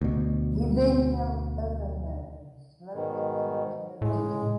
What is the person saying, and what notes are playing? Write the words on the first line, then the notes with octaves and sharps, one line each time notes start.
He then knelt over her and slowly choked her to death.
D2 B2
G#2 B2 D#3
A2 G#3